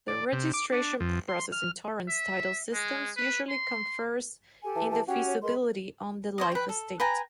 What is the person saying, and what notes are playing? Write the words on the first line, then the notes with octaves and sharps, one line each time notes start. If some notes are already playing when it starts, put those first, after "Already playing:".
The registration process in Torrens title systems usually confers indefeasibility on the life estate.
D5
C3
D6
D4
F2
C6
F6
E5
G#3
B4
C6
G4 A4 G#5
E3 A5
E3 A5
C#4 F#4 G4 G5
C#5
G#3 A#4 B4 C6
C5 C#5 D#5
B4 G5
A4
B4 G5 G#5 A#5